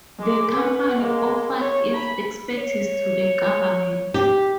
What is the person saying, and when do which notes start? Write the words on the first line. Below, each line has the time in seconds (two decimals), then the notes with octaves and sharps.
The company offered its expertise to the government.
0.20 G#3 D6
0.55 B4 F#5
1.00 G#3 A#3
1.60 C#5
1.94 B5
2.58 C#5
4.14 G4